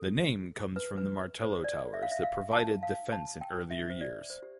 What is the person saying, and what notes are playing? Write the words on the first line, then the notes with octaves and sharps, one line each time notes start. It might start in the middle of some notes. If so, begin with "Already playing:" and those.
The name comes from the Martello towers that provided defence in earlier years.
Already playing: A4
B4
B4
C5
D5
E5
F5
E5
F5
A5
F5
A5
G5
E5
C5
D5
C5
G4